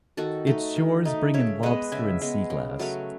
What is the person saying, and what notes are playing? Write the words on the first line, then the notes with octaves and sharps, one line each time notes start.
Its shores bring in lobster and sea glass.
D#3 F#4 A4
A3 D#4
D#3
A3 D#4
C#3 C#5 E5
G#3 B3 D#5 F#5
C#3 E5 G#5
G#3 B3
C#3
F#3 A3 C#4